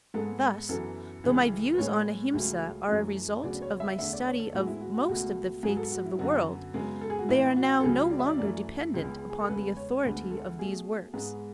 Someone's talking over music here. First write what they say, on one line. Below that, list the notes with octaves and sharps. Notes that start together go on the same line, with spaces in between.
Thus, though my views on Ahimsa are a result of my study of most of the faiths of the world, they are now no longer dependent upon the authority of these works.
G#2 G#3 B3 A4
F#2 E3 B3 A4
C#2 C#3 E3
B4
A2 G#3 B3 C#5
C#2 C#3 F#3 A3
F#2 E3 A3
D2 C#3 F#3 B3 D5
C#5
E5
E2 D3 A3 E5
D5
C#5
A4
A2 G#3 B3 F#4
E4
F#4
F#4
C#2 B2 A3 F#4
G#2 F#3 B3 G#4
A4
F#4
E4
F#2 D3 F#3 B3 F#4
F#2 C#3 G#3 B3
A4
G#4
F#4
A2 E3 B3 E4
F#4
A4
C#2 C#3 F#3 B3 G#4
D5
E5
D5
F#2 E3 A3 D5
C#2 C#3 G#3 B3
G#4
A4
E2 C#3 G#3 B3 B4
C#5
D2 D3 G#3 B3 B4
A4
B2 A3 G#4
G#2 G#3 B3